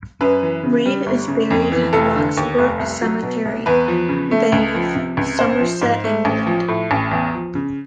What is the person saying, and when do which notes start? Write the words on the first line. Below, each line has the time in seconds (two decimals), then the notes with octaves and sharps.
Reade is buried at Locksbrook Cemetery, Bath, Somerset, England.
0.21 F#2 B4
0.43 E3
0.63 C#3
0.86 G3
1.06 G1
1.28 C#3
1.51 F2
1.72 E3
1.93 F1 A4
2.15 D3
2.37 D#2
2.59 F1
2.79 C2
3.02 F#3
3.22 B2
3.45 C2
3.66 E2 B4
3.88 F3
4.09 C#3
4.31 A3
4.52 C#2
4.75 F3
4.95 C3
5.17 C#2
5.39 A#1 C5
5.60 F3
5.82 G#2
6.04 A3
6.25 A1
6.47 F3
6.68 A2
6.91 A1
7.11 E2
7.34 F3
7.55 C#3